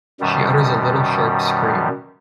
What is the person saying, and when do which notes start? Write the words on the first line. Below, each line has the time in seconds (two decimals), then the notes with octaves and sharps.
She utters a little sharp scream.
0.20 F#2 B2 D#3 G3